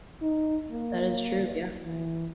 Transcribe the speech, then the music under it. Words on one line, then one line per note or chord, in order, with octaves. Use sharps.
That is true, yeah.
D#4
A#3
E3